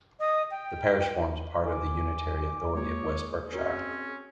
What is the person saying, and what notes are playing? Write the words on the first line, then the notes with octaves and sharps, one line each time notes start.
The parish forms part of the unitary authority of West Berkshire.
D#5 D#6
G5
E4 A4 G#5 D6
G#3 A#3 F4 G#4 C#5
C4 C#4 F#4 A#4 C#5